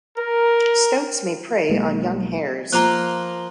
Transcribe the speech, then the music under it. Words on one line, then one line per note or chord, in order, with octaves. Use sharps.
Stoats may prey on young hares.
A#4
B1 G#3 A#3
F3 A#3 F4 A#5 F#6